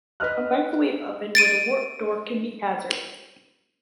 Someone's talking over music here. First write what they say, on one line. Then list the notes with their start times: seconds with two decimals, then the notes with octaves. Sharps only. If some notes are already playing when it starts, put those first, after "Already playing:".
A microwave oven with a warped door can be hazardous.
0.20 B4 D#5 F6 F#6
1.35 A6 D7 D#7